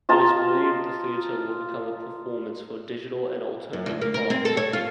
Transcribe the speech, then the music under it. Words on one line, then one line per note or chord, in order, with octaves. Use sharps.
It is believed the theater will become a performance for digital and alternative arts.
F4 D#5 A5 A#5
F#2
D2
A#3
A#4
C4
A4
C#5
F4